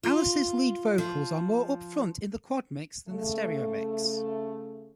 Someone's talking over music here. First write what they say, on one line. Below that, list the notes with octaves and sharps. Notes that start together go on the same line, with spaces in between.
Alice's lead vocals are more upfront in the quad mix than the stereo mix.
F4
F3
C#3 A3